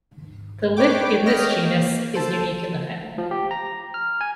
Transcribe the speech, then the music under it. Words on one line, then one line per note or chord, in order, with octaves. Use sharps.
The lip in this genus is unique in the family.
B4 C#5 G5 D6
C#5 D#5 G5 F6 A#6
A#3
A4 C5 A5
F3
G4
A#5
F6
G#5